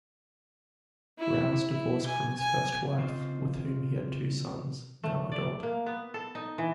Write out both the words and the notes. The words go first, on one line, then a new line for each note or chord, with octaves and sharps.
Rowse divorced from his first wife, with whom he had two sons, now adult.
E4
E4
G#5
G#5
C#3 C4 F4 C5 D#5
A3
D5
A#3
B3
A4
D#4
E3